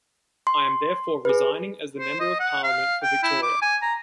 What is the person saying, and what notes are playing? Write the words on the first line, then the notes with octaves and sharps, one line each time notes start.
I am therefore resigning as the Member of Parliament for Victoria.
C6
G#4 B4
C5
D#5
F#5
F5
G5
E4
D6
G#5
A#5